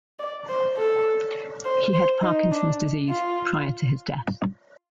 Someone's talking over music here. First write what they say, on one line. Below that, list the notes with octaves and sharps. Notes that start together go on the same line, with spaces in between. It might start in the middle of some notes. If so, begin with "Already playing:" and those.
He had Parkinson's disease prior to his death.
D5
C5
A4
C5
C5
D#4
D4
F4